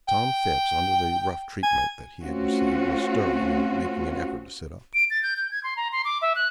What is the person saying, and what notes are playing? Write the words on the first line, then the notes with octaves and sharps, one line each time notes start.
Tom Phipps under the rough treatment that he had received was stirring and making an effort to sit up.
G5
G#5
A3 C4 C#4 F4 F#4
D7
A6
G6
G6
G#6
C6
A#5
C6
D6
E5
F#6